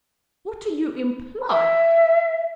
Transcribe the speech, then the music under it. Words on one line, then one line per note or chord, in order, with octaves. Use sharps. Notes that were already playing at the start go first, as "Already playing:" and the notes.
What do you imply?
E5